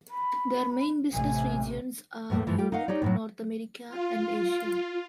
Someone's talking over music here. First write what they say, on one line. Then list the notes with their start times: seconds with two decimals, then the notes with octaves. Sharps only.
Their main business regions are Europe, North America and Asia.
0.10 B5
1.13 A1 C3 G#5
2.30 E2 A2 G3 A3 A#3
2.47 G2 E3 F3
2.58 G3 F4 G4
2.72 D#4 D#5 F5 F#5
2.88 D#4 G4 C#5 D5
3.02 D#2 A2 F#3
3.89 F4